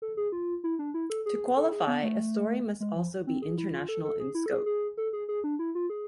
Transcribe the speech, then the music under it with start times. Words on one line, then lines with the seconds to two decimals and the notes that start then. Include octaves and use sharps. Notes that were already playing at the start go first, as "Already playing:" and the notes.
To qualify, a story must also be international in scope.
0.02 A4
0.17 G#4
0.32 F4
0.64 E4
0.79 D4
0.94 E4
1.10 A4
1.26 G#4
1.57 A4
1.72 G#4
1.87 B3
2.03 A3
2.80 G#3
2.96 F3
3.27 C4
3.42 G#4
3.58 E4
3.73 F4
3.89 A4
4.05 A4
4.20 G#4
4.35 E4
4.46 A4
4.51 G#4
4.66 G#4
4.97 A4
5.13 G#4
5.29 G#4
5.44 D4
5.59 E4
5.75 F4
5.90 G#4